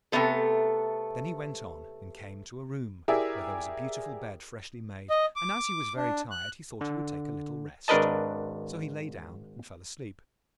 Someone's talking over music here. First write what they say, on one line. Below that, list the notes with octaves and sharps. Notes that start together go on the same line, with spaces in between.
Then he went on, and came to a room where there was a beautiful bed freshly made, and as he was very tired he thought he would take a little rest; so he lay down and fell asleep.
C3 D#3 A3 B3 A4
E4 G4 G#4 A#4 D5 E5
D#5
D6
D4
F#6
D3
G#1 D4 A#4 B4 D#5 A5